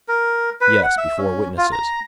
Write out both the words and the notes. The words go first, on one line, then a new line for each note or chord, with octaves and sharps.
"Yes, before witnesses."
A#4
B4
F#5
E5
C#4
F4
A#5